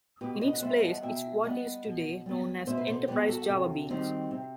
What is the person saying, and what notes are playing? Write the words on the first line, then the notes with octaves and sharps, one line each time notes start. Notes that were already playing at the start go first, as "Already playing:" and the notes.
In its place is what is today known as Enterprise JavaBeans.
B2 G4 B4
B4 D#5
F#5
G3 B3 C5 E5
D#5 F#5
B2 E5 G5
G3 B3 D#5 F#5
B2
G3 B3
B2 C5 E5
B4
A4 C5
G3 B3 G4 B4
F#4 A4
C3
D#3 G3 C4 D#4
C3